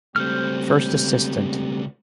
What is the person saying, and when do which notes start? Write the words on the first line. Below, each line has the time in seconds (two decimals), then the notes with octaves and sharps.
First Assistant.
0.16 C#2 G3 A3 C4 G4 C5 F6